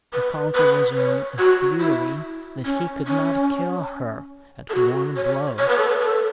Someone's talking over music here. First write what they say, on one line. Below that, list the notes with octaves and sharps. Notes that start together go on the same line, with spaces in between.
Mikolka was in a fury that he could not kill her at one blow.
B4
B4
C#5
F#4
E4
C#4
C#4
A4
F#4
C#5
C#5
B4
A4
B4
A4